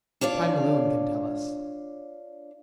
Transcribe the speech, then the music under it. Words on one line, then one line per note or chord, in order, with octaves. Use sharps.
Time alone can tell us.
D4 F4 C#5 D5